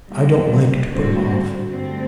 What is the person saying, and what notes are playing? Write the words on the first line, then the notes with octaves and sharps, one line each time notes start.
I don't like to put him off.'
D#3 G3 A#3
D3 G3 C4 F#4
G2 D3 A3 C4